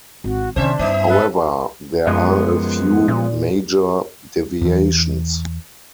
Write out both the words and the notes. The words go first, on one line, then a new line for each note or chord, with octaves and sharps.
However, there are a few major deviations.
G#1 F#4
C3 D#3 C#4 D4 C5 E5
G2 B3 D#4 E5
A4 B4
F#2 F3 G#3 B3
A#2
E2 E3